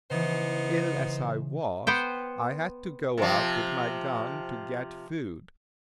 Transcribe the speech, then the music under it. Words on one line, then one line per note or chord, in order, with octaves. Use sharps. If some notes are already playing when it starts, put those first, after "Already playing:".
Ill as I was, I had to go out with my gun to get food.
C#3 E3 B3 D#4 C5
B3 C5 G5
C3 F3